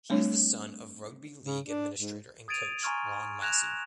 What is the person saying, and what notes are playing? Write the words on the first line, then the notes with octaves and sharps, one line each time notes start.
He is the son of rugby league administrator and coach Ron Massey.
G3 A3 C4 D4 C#5
C#3
D4
G#2
D#6 G#6 A6 D7 D#7 F7
G#5 A#5 C6 C#6 F6 G#6
F#6 G#6 A#6 E7 F7